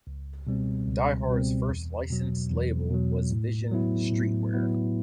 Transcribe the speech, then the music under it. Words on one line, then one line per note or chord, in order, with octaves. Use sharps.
Die Hard's first licensed label was Vision Streetwear.
C#2
B2 G3 C4
C#2
B2 G3 C4
E2
B2 F#3
E2
B2 F#3
A2
F#3 B3 E4
A2
F#3 B3 E4